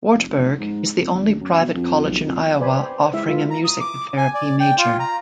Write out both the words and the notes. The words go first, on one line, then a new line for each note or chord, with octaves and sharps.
Wartburg is the only private college in Iowa offering a music therapy major.
F1
F1
F1
G#2
F2
G1
D2
F#2
B2
F2
B1
F2
B4 C5 D5 G#5 B5
C5 G5
G#3 E4 E5
F4 B4
A#5
D#6
D6
G#5
D5
G5
F4
A#5